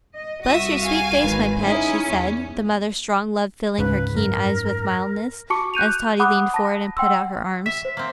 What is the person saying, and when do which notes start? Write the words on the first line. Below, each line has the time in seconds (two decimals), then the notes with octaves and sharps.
"Bless your sweet face, my pet," she said, the mother's strong love filling her keen eyes with mildness, as Totty leaned forward and put out her arms.
0.15 D#5
0.45 C2 F#4 E5 C#6 D#6
0.80 F5 G#5
1.17 G#1 D#3 B4
1.61 C#4 D#4 E4 G#4
2.09 E2
3.78 C#2 G#2 C#3 B4
4.15 F#2 A#4
5.50 F#4 A5 C#6 D6 C#7
5.74 F#6 G6 D#7 F7
6.20 F#5 B5 D6 D#6 F#6
6.54 A5 A#6
6.97 F#5 G5 C6 E6
7.66 E5 B6
7.85 C5
7.97 A#3 C4